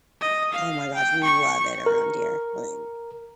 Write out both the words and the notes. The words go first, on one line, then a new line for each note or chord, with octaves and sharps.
Oh my gosh, we love it around here. Like
D#5
F5
G5
C#6
A#4